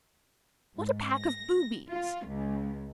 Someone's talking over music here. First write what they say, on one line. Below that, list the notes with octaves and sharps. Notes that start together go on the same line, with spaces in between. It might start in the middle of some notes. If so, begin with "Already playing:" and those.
What a pack of boobies!
G#2
A#6
F4
C#2